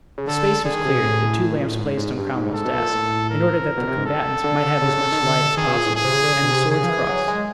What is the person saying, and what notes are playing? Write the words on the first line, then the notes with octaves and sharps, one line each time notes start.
The space was cleared, the two lamps placed on Cromwell's desk, in order that the combatants might have as much light as possible; and the swords crossed.
C#3
D3 A4
D3 G#4
D#3
C3
B2
A2
A#2
A2
G#2
G#2
G2
G#2
A4
B2
A#2
A2
A#4
B2
C3
G#2
A4
D3
C#3
D#3
D3
D#3 G#4
B2
A#2
A2
G#4
C3
C#3
D3
C#3
B2
C3
C#3 G#4
F3
E3
F#3
G#3